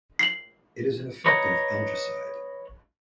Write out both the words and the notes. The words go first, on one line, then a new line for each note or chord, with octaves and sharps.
It is an effective algaecide.
C7 F#7
B4 C#5 D#5 A#5